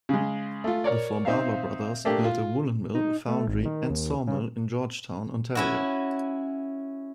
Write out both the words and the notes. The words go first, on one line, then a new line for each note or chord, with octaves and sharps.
The four Barber brothers built a woollen mill, foundry and sawmill in Georgetown, Ontario.
C#3 G#3
A3 F4
A#4 C#5 D5
C4 D#4 E5 F5
A3 A#3 D4 G4
F4
D#4
A3
G#1
D#3
D#2
C#3
C#4 E4 F#4